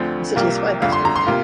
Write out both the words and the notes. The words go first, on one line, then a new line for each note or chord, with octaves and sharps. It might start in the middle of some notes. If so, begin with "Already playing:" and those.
The city has five high schools.
Already playing: D2 D3 F3 C4
C2 C3 G3 A#3 F4
G1 F2 D3 F5
C6
A#5
C6
C3 A#3 F4